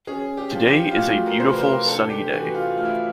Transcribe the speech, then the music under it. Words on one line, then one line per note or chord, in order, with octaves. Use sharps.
Today is a beautiful sunny day.
C#4 G#4
G4
F3
G4
F4
A3 F#4
A#4
C3 C5
B4
A#4
D4 A4
G4
E3 F#4
F4
A3 F4
E4